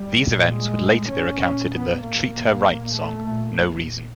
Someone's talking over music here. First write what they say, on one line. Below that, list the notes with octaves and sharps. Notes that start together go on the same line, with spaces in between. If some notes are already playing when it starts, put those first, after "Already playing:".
These events would later be recounted in the Treat Her Right song No Reason.
Already playing: G3
A#2
G#3
A2
C#4
A#2
B3
A#2 A#3
A#2
A3
A#2